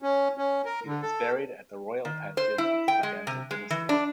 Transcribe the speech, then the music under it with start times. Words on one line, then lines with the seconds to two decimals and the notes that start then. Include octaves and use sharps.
He is buried at the Royal Pantheon of the Braganza Dynasty.
0.02 C#4
0.38 C#4
0.65 A#4
0.86 D3
1.02 A4
2.05 D#3
2.37 C5
2.58 E4
2.88 G5
3.03 G#3
3.27 C3
3.51 G#3
3.70 E3
3.89 D4